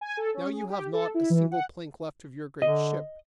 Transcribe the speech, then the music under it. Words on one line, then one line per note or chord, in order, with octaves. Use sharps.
Now you have not a single plank left of your great ship!
G#5
A4
C#4
G#4
G4
A4
E4
E3
F#5
D3 D#5